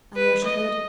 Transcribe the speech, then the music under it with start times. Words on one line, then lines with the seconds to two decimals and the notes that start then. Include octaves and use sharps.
Alyosha heard.
0.16 B4
0.44 D#5